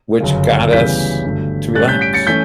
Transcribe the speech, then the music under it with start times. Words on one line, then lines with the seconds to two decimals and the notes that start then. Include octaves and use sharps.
which got us to relax,
0.20 G1 F#2 C#3
0.72 D2 C#3 E3 G3 B3 G6 B6
1.24 G1 G2 D3 F#3 A3
1.75 A2 G3 C#4 F#6 A6
1.88 G6 B6
2.01 B6 D7
2.14 A6 C#7
2.27 E3 A3 C#4 G6 B6